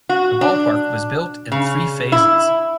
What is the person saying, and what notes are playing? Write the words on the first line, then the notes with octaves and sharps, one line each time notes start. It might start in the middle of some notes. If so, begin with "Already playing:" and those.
The ballpark was built in three phases.
F#4
D4
C#3
E4